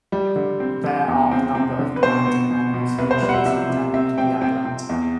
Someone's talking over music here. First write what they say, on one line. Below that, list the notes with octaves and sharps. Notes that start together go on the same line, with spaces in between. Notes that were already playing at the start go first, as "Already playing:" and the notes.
There are a number of plant and animal species endemic to the island.
G3
D3
C4
D3
E2
C4
C4
D3
B4
B2 C5
B3
B2
B2
C2 B4
C5
G3 B4
F#5
E5
C3 E5
C3
C4 E5
C4 G5
C4 G5
C4
E2